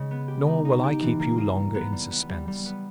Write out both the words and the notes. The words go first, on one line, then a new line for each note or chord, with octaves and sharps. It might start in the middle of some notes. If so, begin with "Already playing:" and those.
Nor will I keep you longer in suspense.
Already playing: C#3 G#3
B3
G4
D#4
D#4
G4
E3
A#3
A#3
G3
B3
G3
B3
G3
G3
B3